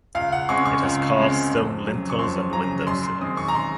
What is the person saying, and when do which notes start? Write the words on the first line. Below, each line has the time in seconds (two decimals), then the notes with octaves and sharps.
It has cast stone lintels and window sills.
0.15 C#2 F5
0.32 F#5
0.49 C#3 G#3 C4 C#6
0.66 C#6
0.83 C#2
1.17 C#3 G#3 C4
1.52 F2
1.85 C#3 F#3
2.10 C#6
2.19 F2 C6
2.53 C#3 F#3 A#5
2.87 F#2 C6
3.03 C6
3.20 D#3 G#3 C4 D#6
3.37 C#6
3.48 A#5
3.55 C6